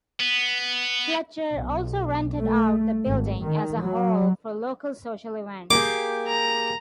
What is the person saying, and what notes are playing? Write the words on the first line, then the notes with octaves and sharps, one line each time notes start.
Fletcher also rented out the building as a hall for local social events.
B3
B1
A3
G#1
D#3
F#3
A#3 G4 G#4 D6
A#5